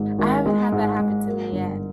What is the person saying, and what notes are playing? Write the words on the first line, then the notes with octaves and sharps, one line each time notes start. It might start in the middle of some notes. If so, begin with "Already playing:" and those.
I haven't had that happen to me yet.
Already playing: G#1 G#2
G#1
G#3
G#2
G#2
A#3
G1